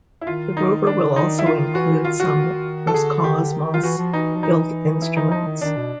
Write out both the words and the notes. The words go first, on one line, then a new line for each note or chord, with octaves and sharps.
The rover will also include some Roscosmos built instruments.
E4
D#3 F4
D#4
D4
D#3 D#4
E4
F4
E3 F#4
D#3 F4
D#3 F#4
D#3
A4
D3 G#4
G4
D#3
F4
E3 F#4
F3
E3 D#4
F3
E3 D#4
E4
D#4
F3 D#4
D#3
D#3 D4
B2